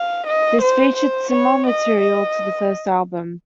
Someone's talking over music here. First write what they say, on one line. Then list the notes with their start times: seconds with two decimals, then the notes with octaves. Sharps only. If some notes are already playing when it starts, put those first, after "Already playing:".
This featured similar material to the first album.
Already playing: F5
0.27 D#5
0.62 C5
0.97 C5
1.31 C#5
1.67 D#5
2.01 D#5